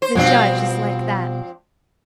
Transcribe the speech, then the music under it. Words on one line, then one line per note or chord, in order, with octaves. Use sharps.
The judge is like that.
C5
B2 F3 G3 C4 D4